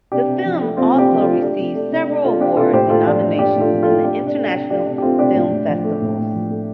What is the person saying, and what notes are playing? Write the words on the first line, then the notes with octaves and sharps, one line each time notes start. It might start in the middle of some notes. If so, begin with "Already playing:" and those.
The film also received several awards and nominations in international film festivals.
C3 D4 G4
C3
F3
A3
C3 C4 F4
C3 D4 G4
F3
F4 A4
A3
A3 D4 G4
C3
A3 D4
C3 D4
A3 D4
C3 F4 A4
A3 D4 G4
C3 F4 A4
A2 G4 C5
A2 F4 A4
F3 D4 G4
A3 D4
A2 D4 G4
A2 F4 A4
F3
F4 A4
A3
A3 D4 G4
C3
D4
A3
C3 D4
A3 D4 G4
C3 D4
G4
A3 C4 F4
C3 D4 G4
A2
A2
F3
A3
A2
A2
F3
A3